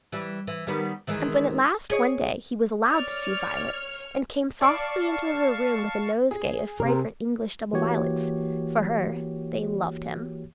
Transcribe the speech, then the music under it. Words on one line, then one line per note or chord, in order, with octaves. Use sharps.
And when at last, one day, he was allowed to see Violet, and came softly into her room with a nosegay of fragrant English double violets, for her, they loved him.
E3 G3
E3
D#3 G3 B3
D#3 E3 G#3
G#4 C#5 D#5
C#5 D5 F6
D5 F5 A5 C#6 D7
G#4
C3 A#4
E3 A#3 F#4 G4 C#5